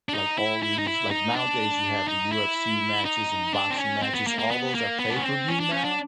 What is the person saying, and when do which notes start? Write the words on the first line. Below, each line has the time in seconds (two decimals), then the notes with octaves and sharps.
like, all these like, nowadays, you have the UFC matches and boxing matches, all those are pay-per-view now?
0.09 D4
0.14 D#4
0.38 E4
0.63 E4
0.79 D#4
0.87 E4
1.11 D#4
1.36 D4
2.08 D#4
2.32 E4
3.05 D#4
3.54 D4
3.70 C4
3.78 C#4
4.02 C4
4.15 B3
4.27 A#3
4.39 A#3
4.51 B3
4.75 A#3
4.99 B3
5.10 D4
5.16 C#4
5.24 C4
5.48 C#4
5.60 D4
5.73 C#4
5.84 D4